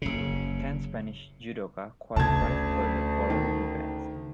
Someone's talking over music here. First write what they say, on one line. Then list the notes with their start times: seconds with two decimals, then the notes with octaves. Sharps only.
Ten Spanish judoka qualified for the following events.
0.02 F#1 C#3
2.16 D2 C#3 A5 G#6
3.30 D#3